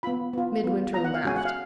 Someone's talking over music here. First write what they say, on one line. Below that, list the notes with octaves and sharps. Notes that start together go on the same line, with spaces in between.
Midwinter laughed.
B3 F4 B5
B3 F4
B3 F4
B3 F4 A#5
F#5
F5
G#3 C#4 F#4 G#5
F#5
F5